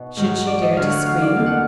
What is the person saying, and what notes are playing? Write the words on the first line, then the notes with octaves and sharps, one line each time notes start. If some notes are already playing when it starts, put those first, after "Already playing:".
Should she dare to scream?
Already playing: B2 D#4
G#2 D#3 F#3
D5
D#5
D2 D3 F#3 F5
F#5
F5
D5
F2 F3 A#3 F5
F#5